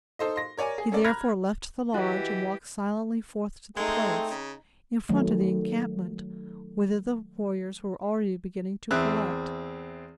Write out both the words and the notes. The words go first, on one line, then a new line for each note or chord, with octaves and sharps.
He, therefore, left the lodge and walked silently forth to the place, in front of the encampment, whither the warriors were already beginning to collect.
D#4 A4 C5 D#5
C6 A#6
A#4 C#5 D5 G#5
G#4
C#4 A4 A#4 D5
A#5 B5 F6 F#6 G#6 A#6
E3 F#4 G4 D#5
G#3 A3 C4 D#4 G#4 G5
C#3
D#3 F#3 A3
E2 C4 E5 F#6